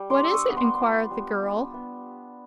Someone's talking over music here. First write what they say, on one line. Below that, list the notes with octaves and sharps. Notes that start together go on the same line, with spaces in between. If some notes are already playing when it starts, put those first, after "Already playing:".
"What is it?" enquired the girl.
Already playing: G3
C6 D6
D4
E6
C#6 D#6
B3
C6 D6
F4
G3
D4
B3